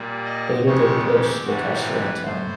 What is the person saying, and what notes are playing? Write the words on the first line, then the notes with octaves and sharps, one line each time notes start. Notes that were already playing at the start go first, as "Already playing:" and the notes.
Later, they pledged the castle and town.
Already playing: A#2 G3
D#5
F2 C3 D#3 G#3 C#5
G4
G#2 E3 G3 F#4
B4
A2 C5